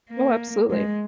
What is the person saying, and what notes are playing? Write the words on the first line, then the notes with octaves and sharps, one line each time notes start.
Oh, absolutely.
A#3
G#3